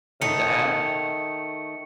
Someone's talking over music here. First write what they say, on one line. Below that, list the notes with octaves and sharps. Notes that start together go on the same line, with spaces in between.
like the app
D#3 A3 D#4 C#7